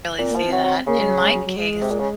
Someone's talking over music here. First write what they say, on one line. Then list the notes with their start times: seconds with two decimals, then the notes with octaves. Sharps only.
Really see that. In my case,
0.18 A#2 C4
0.31 F3 A#3
0.45 C4
0.52 F#3
0.64 F#3
0.87 C#3 A#3
0.98 G#3
1.09 F#3
1.22 G#3
1.33 F#3
1.45 F#3
1.56 G#3
1.81 C3
1.91 A#2
2.00 C#3